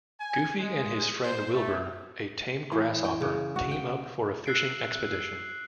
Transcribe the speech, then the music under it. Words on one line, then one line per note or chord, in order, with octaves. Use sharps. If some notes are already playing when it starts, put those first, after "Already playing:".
Goofy and his friend Wilbur, a tame grasshopper, team up for a fishing expedition.
G#5
G#3
C5
A3
E3
G5
C#3
F#4
G5
E6 F#6 C7 D7